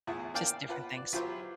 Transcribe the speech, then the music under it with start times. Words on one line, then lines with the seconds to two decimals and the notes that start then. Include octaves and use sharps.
just different things.
0.07 E2 A2 E4 F4 G#4 F#5
0.34 A#3 D5 F5 G5 A5
0.69 F4 B4 F#5
0.97 D5
1.13 F#3 E4 F4 G4 B4 C5